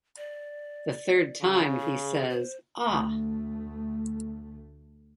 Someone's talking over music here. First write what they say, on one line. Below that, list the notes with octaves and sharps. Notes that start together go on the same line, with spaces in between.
The third time, he says Ah!
D5
C#3
G#4
C5
D2 A3